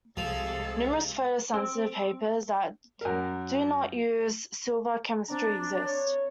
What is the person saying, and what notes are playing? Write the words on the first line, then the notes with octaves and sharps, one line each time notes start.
Numerous photo sensitive papers that do not use silver chemistry exist.
C2 C3 F3 G#3 G#4 A4
C4
F#2 A#4
C4 D4 D5 A#5
C#5